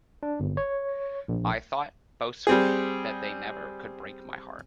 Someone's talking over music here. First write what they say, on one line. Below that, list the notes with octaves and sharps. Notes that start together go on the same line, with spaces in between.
I thought, boastfully, that they never could break my heart.
D4
G1
C#5
A#1
G3 C4 G#4